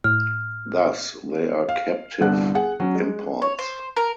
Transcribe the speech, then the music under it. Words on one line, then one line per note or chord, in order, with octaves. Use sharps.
Thus, they are captive imports.
A2 F6
F5
G1 C2 D3 F#5 F#6
G#4 F#5
F#3 C#4
G#3
C#5
C5
A#4